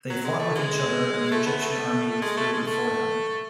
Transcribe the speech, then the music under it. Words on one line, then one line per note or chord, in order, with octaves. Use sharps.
They fought with each other and the Egyptian army withdrew before him.
F#3
G#3
A3
G#3
A3
B3
A3
G#3
A3
G#3
A3